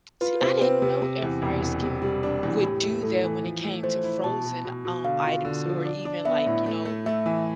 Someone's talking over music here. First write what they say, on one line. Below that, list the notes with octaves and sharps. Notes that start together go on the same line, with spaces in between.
See, I didn't know air fryers can would do that when it came to frozen, um, items or even, like, you know, with
F4 B4
C3 C5
C4 B4
C3
C3
E2
E1
E1
C3
G3
D4
E2
A2 G4
A3
A2 A4
E3
F3
A3
A3 C5
E4
B2 A5
B2
B2
B2
D3 F5
F4
D3
F3
D4
D4
B3 E5
A2
A3
A3
A3 E5
E3